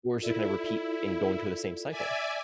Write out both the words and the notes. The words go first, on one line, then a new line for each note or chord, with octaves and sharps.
or it's ju gonna repeat and go into the same cycle.
E4 F4 A4 D5
D5 E5 G#5